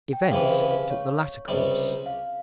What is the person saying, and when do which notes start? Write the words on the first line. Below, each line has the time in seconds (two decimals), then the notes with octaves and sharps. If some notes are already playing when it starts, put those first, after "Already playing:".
Events took the latter course.
0.13 G5
0.31 C#2 C3 E3 F5
0.51 F5
0.71 F5
0.90 C#5
1.48 C#2 C3 G3
2.06 F5